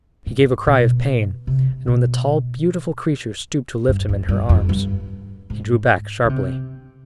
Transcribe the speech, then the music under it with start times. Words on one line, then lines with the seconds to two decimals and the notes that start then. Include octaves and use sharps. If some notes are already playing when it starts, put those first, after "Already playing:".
He gave a cry of pain; and when the tall beautiful creature stooped to lift him in her arms he drew back sharply.
0.27 G#2
0.67 B2
1.47 C3
1.88 B2
3.89 G2
4.09 F2
4.28 G2
4.49 F2
4.69 G2
5.50 G#2
6.25 D3
6.29 C3